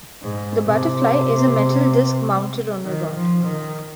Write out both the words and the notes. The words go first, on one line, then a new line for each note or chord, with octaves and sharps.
The "butterfly" is a metal disc mounted on a rod.
G#2
C3
D#3
F3
D#3